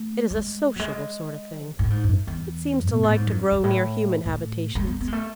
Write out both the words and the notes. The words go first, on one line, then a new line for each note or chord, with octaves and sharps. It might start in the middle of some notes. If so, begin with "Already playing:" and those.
It is a sociable sort of thing; it seems to like to grow near human habitations.
Already playing: A3
G#3
F#3
G#3
B2
A2
G#2
F#2
E2
B2
A2
G#2
F#2
G#2
A2
A2
G#3
B3
B3
G#3
A3